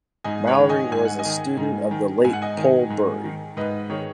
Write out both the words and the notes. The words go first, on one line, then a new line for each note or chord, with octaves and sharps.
Mallory was a student of the late Pol Bury.
G#2 D#5 G#5
C#5 F#5
D#3
D#5 G#5
G#2 G#5
F#5
D#5 G#5
D#3
G#2
D#3
G#2 G#5
F#5
D#5 G#5
D#3
G#2
D#3
G#2 B4 D#5
D#3 G#4 C#5